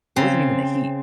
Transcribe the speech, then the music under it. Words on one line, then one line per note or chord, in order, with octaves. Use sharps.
it wasn't even the heat.
C#3 C4